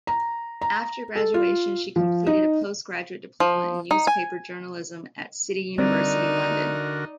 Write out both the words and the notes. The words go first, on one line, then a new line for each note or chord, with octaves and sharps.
After graduation she completed a Postgraduate Diploma in Newspaper Journalism at City University, London.
A#5
A#5
A4
F4
F3
D#4
F3
D#4
G#5
D3 G3 C4 D#4 F#4 A#4 D5